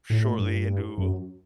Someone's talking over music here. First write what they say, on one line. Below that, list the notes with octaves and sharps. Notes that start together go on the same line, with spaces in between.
shortly into
A2
G2
F#2